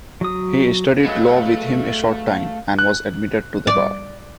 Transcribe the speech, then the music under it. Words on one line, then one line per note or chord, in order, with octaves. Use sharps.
He studied law with him a short time and was admitted to the bar.
F#3 D#6
F#3 G#3 A3 B3 F5
F#6
D5